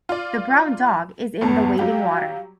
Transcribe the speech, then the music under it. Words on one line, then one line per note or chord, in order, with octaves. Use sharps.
The brown dog is in the waving water.
F4 D5
G1 E2 B3 A5
F#3 G3 G4 F5